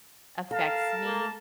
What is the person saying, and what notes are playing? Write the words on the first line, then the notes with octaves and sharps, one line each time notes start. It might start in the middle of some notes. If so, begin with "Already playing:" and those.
affects me,
A4 A#4 F5 A5
A#3